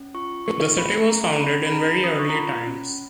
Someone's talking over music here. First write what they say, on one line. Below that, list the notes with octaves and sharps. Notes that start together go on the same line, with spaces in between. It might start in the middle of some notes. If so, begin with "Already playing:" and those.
The city was founded in very early times.
Already playing: C#4
F4 C#6
C#4 C#6
G#4 B5
C#4 A#5
C#4 B5
B5
G#4 A#5
B5
C#4 D#6
C#6
A#5
F4 B5
C#4